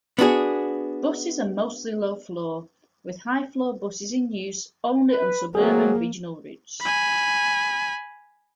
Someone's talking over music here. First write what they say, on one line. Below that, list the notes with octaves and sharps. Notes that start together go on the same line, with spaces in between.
Buses are mostly low-floor, with high-floor buses in use only on suburban-regional routes.
B3 D4 F#4 G#4
B4
E3 F#3 A#3 C4 G#4
G#5 B5